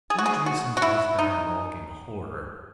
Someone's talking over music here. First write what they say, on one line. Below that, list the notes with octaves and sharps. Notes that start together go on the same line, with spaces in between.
Scrooge listened to this dialogue in horror.
G#4
F#4
G#4
F#4
F#4
E4
D#4